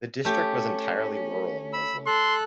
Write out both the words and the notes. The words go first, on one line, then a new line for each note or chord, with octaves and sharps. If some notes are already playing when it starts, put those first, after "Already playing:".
The district was entirely rural and Muslim.
A3 C#4 G4
B5 E6
A4 C6 F#6